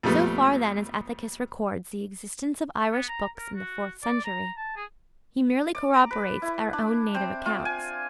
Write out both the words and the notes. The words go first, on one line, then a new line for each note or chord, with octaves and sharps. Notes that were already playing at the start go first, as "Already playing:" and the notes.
So far then as Ethicus records the existence of Irish books in the fourth century, he merely corroborates our own native accounts.
F2 A#2 G3 A3 B3
B3
A#5
A#4
F#4
D5
A#5
A5
G#4
D5
A#5
B4
E4
D4
C4
F4
G#5